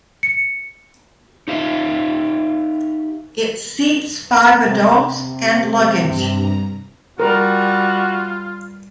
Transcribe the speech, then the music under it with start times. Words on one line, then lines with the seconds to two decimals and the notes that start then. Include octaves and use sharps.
It seats five adults and luggage.
0.23 C#7
1.48 D#4 G4 E5 F5
4.65 C3
6.00 G2 A#5
7.20 G3 F4 F#4 A#4